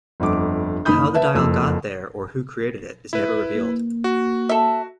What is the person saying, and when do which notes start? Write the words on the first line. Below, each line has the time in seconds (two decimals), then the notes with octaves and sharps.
How the dial got there or who created it is never revealed.
0.20 G1 F2 D6
0.85 F#1 D#3 B5 D#6 G6
1.14 B4 E5 A5
1.34 F#1 F2 E6
3.13 E4 B4
3.55 A#3
4.04 F#4
4.49 A4 E5